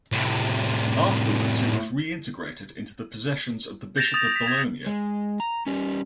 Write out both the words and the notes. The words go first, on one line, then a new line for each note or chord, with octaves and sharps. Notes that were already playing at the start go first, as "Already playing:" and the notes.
Afterwards it was reintegrated into the possessions of the Bishop of Bologna.
A2 C3
G6 A6 A#6 D7 E7 F7
D#6 A6 F7
B6
G#6
G#3
A#5
G3 C#4